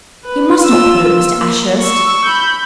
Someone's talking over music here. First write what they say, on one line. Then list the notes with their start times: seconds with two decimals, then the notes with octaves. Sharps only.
You must not put it, Mr. Ashurst.
0.25 B4
0.66 F4 E6
1.32 A#3
1.80 C#6 E6
2.25 B5 G6